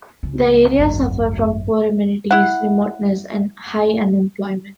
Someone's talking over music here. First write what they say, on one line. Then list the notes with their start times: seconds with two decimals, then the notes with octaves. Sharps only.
The area suffered from poor amenities, remoteness and high unemployment.
0.23 C#2
0.79 G#1 F#2
2.31 E4 F#5